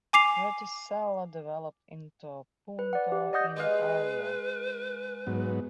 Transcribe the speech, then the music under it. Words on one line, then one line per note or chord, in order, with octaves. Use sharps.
Reticella developed into Punto in Aria.
G#5 D6 C7 F7
B4
D5 F#5
G4
D5 D#5 F#5 D#6 G6 A#6
G#3 B4 F5
G#2 F#3 B3